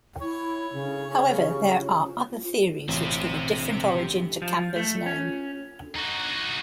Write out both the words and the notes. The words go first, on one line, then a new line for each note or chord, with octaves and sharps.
However, there are other theories which give a different origin to Cambre's name.
E4 C#5
C#3
A1 C4 E5
F3
A3
C#4
D#4 F#4